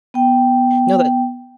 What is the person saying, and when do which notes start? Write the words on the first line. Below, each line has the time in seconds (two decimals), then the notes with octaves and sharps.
No, that
0.14 B3 G5